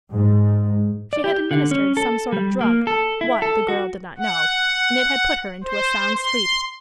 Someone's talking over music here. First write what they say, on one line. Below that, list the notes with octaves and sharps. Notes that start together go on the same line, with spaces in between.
She had administered some sort of drug--what, the girl did not know--and it had put her into a sound sleep.
G#2
D5
G4
D3
C#4
A4
G3
A#3
A4
E4
A4
F#4
F#5
C5
C6